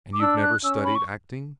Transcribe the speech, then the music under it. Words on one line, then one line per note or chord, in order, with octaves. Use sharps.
"And you never studied acting?"
D6
D4 E6
F#6
C#4 E6
B5
C#6